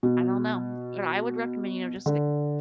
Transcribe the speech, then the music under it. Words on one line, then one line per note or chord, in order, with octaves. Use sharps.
I don't know. What I would recommend, you know, just the, like,
B2
D3